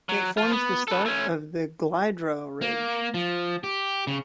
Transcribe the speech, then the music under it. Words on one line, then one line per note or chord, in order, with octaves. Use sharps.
It forms the start of the Glyderau ridge.
F#3
F3 F4
B3
A4 B4
A3 C#4
A#3
F3
G4
C#3